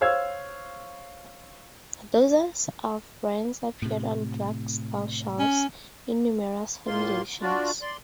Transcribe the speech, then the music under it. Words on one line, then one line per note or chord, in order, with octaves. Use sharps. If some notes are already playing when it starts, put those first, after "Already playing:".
Dozens of brands appeared on drugstore shelves, in numerous formulations.
C5 C#5 F5 E6 G#6
A2 C3
C#4
A2 A#3 F4 C6
D4 F4 F#4 D5
D5 C6